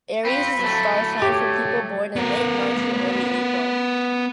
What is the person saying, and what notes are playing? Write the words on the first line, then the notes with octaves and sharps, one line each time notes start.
Aries is a star sign for people born in late March and early April.
C4 F4 B5
F#3 A3
G4 C#5
B3 A#4